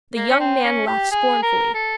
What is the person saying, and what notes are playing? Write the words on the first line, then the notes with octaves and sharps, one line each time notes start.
The young man laughed scornfully.
A#3
C#4
C4
C#4
G4
G#4
A#4
A4